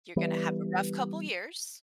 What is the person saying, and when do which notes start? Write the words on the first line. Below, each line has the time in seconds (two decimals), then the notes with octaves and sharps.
you're gonna have a rough couple of years"
0.16 E3 G3 B3